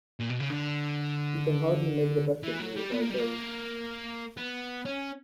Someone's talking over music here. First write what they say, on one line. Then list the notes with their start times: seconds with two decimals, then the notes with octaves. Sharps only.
You can hardly make the best of me if I don't.
0.20 A#2
0.30 B2
0.40 C#3
0.50 D3
2.43 E3
2.60 F#3
2.76 G3
2.92 B3
3.01 A#3
3.10 G3
3.19 A#3
4.37 B3
4.85 C#4